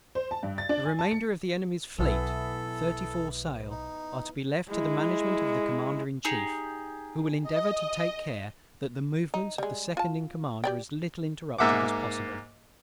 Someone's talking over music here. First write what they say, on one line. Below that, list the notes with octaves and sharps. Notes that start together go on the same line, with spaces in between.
The remainder of the Enemy's Fleet, thirty-four sail, are to be left to the management of the Commander in Chief; who will endeavour to take care that the movements of the Second in Command are as little interrupted as possible.
C5
A5
G2
A6
D4
G#5
A5
C#7
B1 E3 B3 E4 A4
D#4
G#3 E4
D#4 G4 G#4
D#5
D#4
G3 G#3
F4 A5
G4 D5 G5
G#2 A#3 E5 F#5 D6